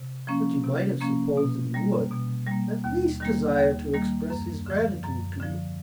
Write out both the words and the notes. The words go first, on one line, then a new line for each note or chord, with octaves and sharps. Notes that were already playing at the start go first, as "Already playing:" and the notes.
"But you might have supposed that he would, at least, desire to express his gratitude to you."
Already playing: C3
F3 A#3 C#4
C3
F3 A#3 C#4
B2
G3 A#3
B2
G3 A#3
D#2
D#3 G3 A#3
D#2
D#3 G3 A#3
F#2
D3 F3
F#2
D3 F3